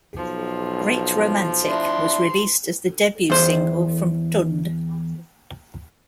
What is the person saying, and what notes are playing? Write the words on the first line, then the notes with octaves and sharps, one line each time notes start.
"Great Romantic" was released as the debut single from "Tunde".
B1 F3
D4 E4 C6
E2 C5